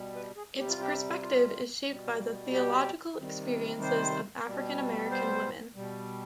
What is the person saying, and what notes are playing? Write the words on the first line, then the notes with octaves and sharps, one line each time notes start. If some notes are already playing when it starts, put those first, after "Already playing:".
Its perspective is shaped by the theological experiences of African-American women.
Already playing: B2 G3
B4
G#4
C3 G3 G4
F4
G4
F4
B2 G3
G4
C3 D#3 G3
C5
B2 G3
C5
B2 G3